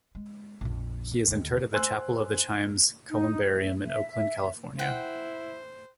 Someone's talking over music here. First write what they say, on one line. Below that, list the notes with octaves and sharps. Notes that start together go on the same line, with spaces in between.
He is interred at the Chapel of the Chimes columbarium in Oakland, California.
G#3
A#1 F2
A#3
D#2 D3
C5 G#5 C6 E6 F#6
D#4
E5
E5
E4 C5 F#5 G5